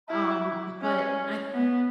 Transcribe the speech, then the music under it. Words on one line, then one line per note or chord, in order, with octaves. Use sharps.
um, but I
E4
C#4
B3